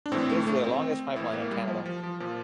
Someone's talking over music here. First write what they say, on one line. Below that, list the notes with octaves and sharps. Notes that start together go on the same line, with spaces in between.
It is the longest pipeline in Canada.
D4
A2 E3 C4
A3
A3
C4
A2 E3 E4
A#3
G3
F3
F3
F3
A#2 F3